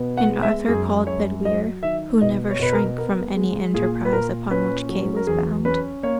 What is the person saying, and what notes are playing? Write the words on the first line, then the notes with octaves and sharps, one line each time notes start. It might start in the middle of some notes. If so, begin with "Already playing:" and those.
And Arthur called Bedwyr, who never shrank from any enterprise upon which Kay was bound.
Already playing: B2 B3
F#5
G#3
E5
F#2 G#4
F#2 C#5
F#3 D#5
D#3 E5
B2 D#5
C#5
B2 B4
A#4
B3 A#4
G#3
A#2 G#4
B4
A#2 A#4
C#4 B4
F#3
A#4
E2 G#4
C#4 B4
A#3 C#5